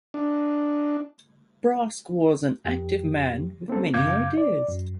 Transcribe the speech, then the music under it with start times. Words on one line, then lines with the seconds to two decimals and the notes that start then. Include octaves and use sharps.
Brask was an active man with many ideas.
0.14 D4
2.65 F2 G4
3.68 A#3 C4 C#4 A4
3.94 F#2 C#3 F5 D6 G6 G#6
4.37 D5
4.69 F#2